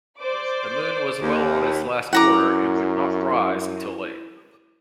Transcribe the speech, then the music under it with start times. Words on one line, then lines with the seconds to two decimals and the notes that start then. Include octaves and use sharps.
The moon was well on its last quarter and would not rise till late.
0.20 C5 D5 D6
1.22 D#2
2.13 F#2 E4 F#5 A#5 D6